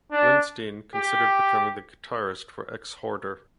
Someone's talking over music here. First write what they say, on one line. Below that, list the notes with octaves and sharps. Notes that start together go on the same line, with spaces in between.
Windstein considered becoming the guitarist for Exhorder.
D4
G4